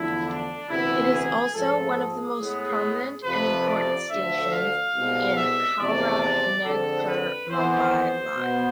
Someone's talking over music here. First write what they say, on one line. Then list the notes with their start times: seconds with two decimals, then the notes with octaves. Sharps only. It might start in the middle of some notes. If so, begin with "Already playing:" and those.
It is also one of the most prominent and important station in Howrah–Nagpur–Mumbai line.
Already playing: E2 D3 F3 A3 E4
0.27 D4
0.70 D2 C3 E3 B3 E4
1.12 G#4
1.54 G#2 F3 A3 A4
1.96 G#4
2.39 A2 G#3 B3
3.24 F2 C3 F3 B4
3.67 D5
4.09 D2 D3 F3 A3 E5
4.52 F5
4.94 C2 B2 G#3
5.37 E5
5.79 E2 C3 F3 G#3 C4 D5
6.64 F2 D3 G#3 C4 A4
7.07 B4
7.49 F2 E3 B3 C5
7.92 C5
8.35 B2 B3